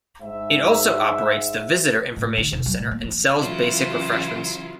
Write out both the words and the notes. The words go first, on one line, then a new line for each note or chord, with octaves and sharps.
It also operates the Visitor Information Centre and sells basic refreshments.
G#2 E5
A2
D3
E1
F#3
A2
A#3
F3
C#3 E3 F#3 E4 F4